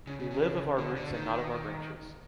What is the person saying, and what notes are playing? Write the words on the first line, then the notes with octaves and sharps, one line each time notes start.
We live of our roots and not of our branches.
C#3
C#3
C#3
D3
D3
D#3